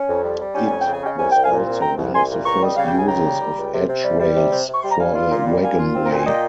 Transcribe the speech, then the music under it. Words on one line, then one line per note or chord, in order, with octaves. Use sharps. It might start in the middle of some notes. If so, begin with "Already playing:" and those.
It was also one of the first uses of edge-rails for a wagonway.
Already playing: C#4
F2
G3
G3
C#4 G5
F2 G#5
G5
C#3
G#5
C#4 D#5 G5
C2 G#5
C2 G5
F5 G#5
A#2
C4
C2 G5 A#5
C2
C2 G#5 C6
A#2
C#2 A#5 C#6
G3 D#5
C#3 F5
G5
C#2 G#5
C#3 G5 A#5
G3
G3
C#2
C3
C3
G3
G3
C3
C3
C3
C#6
G3 C6
A#5
G3 F5 G#5
F4
A#2
G3
A#2 F5 G#5
F4
C4
A#2 A#5
G#5
A#2 D#5 G5